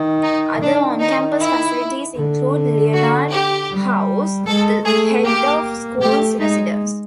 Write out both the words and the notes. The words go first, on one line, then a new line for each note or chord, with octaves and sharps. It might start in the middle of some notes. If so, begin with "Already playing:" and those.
Other on-campus facilities include Leonard House, the Head of School's residence.
Already playing: D#3
D#4
D#3 D4
D#4
E4
D3
F#4
G4
G3
G#3 A4
A3 G#4
A#3 G4
A3 G4
G#3 D#4